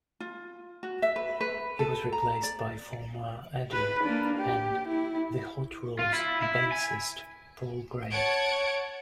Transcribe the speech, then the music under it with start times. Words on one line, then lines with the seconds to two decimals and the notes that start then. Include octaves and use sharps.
He was replaced by former Eddie and the Hot Rods bassist Paul Gray.
0.20 F4
0.83 F#4
1.02 E5
1.16 B4
1.41 B4
1.79 A4
2.12 A#5
2.43 D5
3.72 B4
4.04 A#3 D4
4.37 G4
4.88 E4
5.99 F4
6.13 E4
6.43 E4
6.73 G#5
8.11 C#5 F#5 A5 G#6 D7